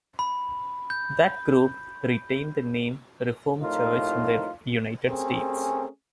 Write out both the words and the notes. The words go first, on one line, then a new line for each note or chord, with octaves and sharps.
That group retained the name Reformed Church in the United States.
B5
G6
C2 A2 F3 D#4 F4 A#4
A3 C4 C#4 G4 G#4 A#4